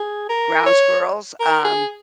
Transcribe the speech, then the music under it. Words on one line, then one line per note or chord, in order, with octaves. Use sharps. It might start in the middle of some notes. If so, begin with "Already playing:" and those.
Ground squirrels, um,
Already playing: G#4
A#4
C#5
A#4
G#4